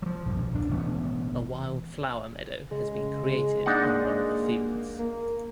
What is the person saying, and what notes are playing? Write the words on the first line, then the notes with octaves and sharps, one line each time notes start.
A wild flower meadow has been created on one of the fields.
F3 F#3
B1 G2 A#2
D#1 D4
E1 A1 A3 B3
C#3 G#3
A#3 D4 D#4 F#5
A#3